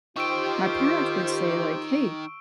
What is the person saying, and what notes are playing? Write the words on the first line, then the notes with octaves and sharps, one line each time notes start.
my parents would say like, "Hey,
D#3 D#4 F4 G4 C5 C#6 E6 D7